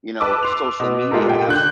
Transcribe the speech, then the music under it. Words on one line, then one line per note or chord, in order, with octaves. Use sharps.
you know, social media have s
B4 A5 D6 E6
C6 F7
B2
G#3 F4 G4 A4 A#4
A#2 G5
D3 F#6 G6